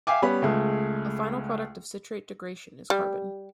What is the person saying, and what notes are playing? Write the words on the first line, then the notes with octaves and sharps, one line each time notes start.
A final product of citrate degradation is carbon.
E5 F5 G5 G#5 D6
G3 B3 C#4 B5
C#2 G#3 A3
G3